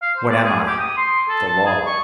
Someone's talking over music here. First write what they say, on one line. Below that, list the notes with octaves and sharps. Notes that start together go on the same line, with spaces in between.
What am I?--the law.
F5
C5
D5
G#4
G4
D#6
C6
A4
A5
G#4
C#6